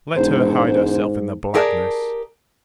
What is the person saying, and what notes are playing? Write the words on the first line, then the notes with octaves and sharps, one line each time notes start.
Let her hide herself in the blackness.
E1 G#2 C5
G4 G#4 A#4 D5 F#5 A5